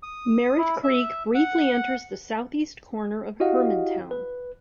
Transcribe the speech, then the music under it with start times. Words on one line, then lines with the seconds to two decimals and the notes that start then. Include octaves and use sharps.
Merritt Creek briefly enters the southeast corner of Hermantown.
0.03 D#6
0.58 E4
0.83 E5
1.35 F#5
3.40 E4 F#4 G4 D#5 F5 F#5
4.11 B4